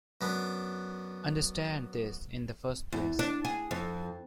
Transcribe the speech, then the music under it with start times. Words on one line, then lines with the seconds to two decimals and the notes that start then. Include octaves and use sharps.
Understand this in the first place.
0.21 F#2 B3 D4
2.92 E2
3.19 D4
3.45 G#4
3.71 F2